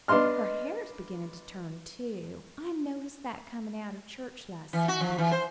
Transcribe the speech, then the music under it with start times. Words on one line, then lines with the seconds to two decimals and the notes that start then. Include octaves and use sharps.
Her hair's beginnin' to turn, too; I noticed that comin' out of church last Sunday.
0.08 B3 D4 D#5 C6 F6
4.73 E3
4.88 F#4
5.01 F3
5.18 E3
5.32 C5